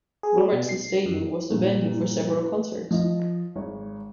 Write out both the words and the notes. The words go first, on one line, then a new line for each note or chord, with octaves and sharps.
Robertson Stadium was the venue for several concerts.
G#4
F#3
B2
C7
F#2
G2 A#2
B4
F3 D#5
G#1 C#5